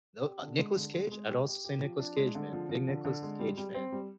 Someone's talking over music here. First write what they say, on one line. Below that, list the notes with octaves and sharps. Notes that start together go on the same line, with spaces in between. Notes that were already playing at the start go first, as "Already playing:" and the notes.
No, uh, Nicholas Cage, I'd also say Nicholas Cage, man, big Nicholas Cage fan.
G4
D3
G#3
D3
G#3
G#3
G4
G4
G4
F3
D4
G#3
D3
F3
F3
D3
D3
G#3
G3
G3
C4
G3